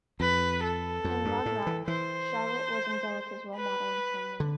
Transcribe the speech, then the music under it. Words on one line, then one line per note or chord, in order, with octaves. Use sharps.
In Rugrats, Charlotte was Angelica's role model in some ways.
F2 B4
A4
F2
G2
A2
E3
E3 C5
B4
D3